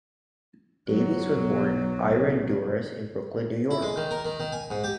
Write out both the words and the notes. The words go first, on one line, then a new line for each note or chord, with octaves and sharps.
Davies was born Irene Douras in Brooklyn, New York.
G1 F#3
B1 B2
E4
G#3
D#3
A#4
D#3
D#3
G#5
G#2
G4